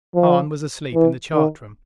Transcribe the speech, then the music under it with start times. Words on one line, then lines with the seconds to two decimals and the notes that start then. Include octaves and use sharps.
Hahn was asleep in the chart room.
0.15 F3
0.94 E3
1.33 D#3